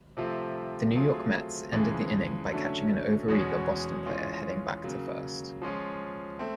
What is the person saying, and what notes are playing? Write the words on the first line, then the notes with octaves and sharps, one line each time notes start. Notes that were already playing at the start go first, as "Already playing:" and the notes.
The New York Mets ended the inning by catching an overeager Boston player heading back to first.
C3 F3 A3 C4 F4
F#3 A3 C4 F4 G#4
F2 C#3 E3 G#3
D3 F#3 A3 C#4
E2 B2 G#3 C#4 F#4
E3 G#3 C#4 F4
C#3 F#3 A#3
F3 G#3 C#4 F4
A3 C4